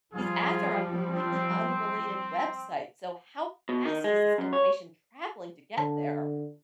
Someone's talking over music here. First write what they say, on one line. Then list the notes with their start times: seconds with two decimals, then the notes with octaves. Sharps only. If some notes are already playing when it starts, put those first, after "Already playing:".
these ads are on completely unrelated websites, so how fast is this information traveling to get there?
0.13 F3 G3 F4 G#4
1.08 C4
3.69 B2
3.85 D#3
4.04 G#3
4.38 F#2
4.53 C#5
5.78 D3 A5